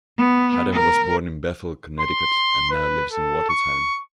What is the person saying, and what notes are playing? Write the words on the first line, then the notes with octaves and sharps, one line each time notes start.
Haddam was born in Bethel, Connecticut and now lives in Watertown.
B3
A#4
C6
B4
A4
C#6